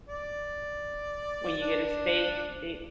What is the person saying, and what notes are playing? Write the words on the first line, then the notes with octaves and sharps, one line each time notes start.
when you get a steak, it
D5
D4